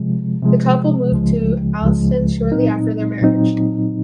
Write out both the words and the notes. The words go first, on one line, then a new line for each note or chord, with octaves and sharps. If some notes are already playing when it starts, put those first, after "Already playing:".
The couple moved to Allston shortly after their marriage.
Already playing: C3 F3 G#3
C3 F3 G#3
C#2 C#3 F3 G#3
C#2 C#3 F3 G#3
A#2 F#3 C4 D#4
A#2 F#3 C4 D#4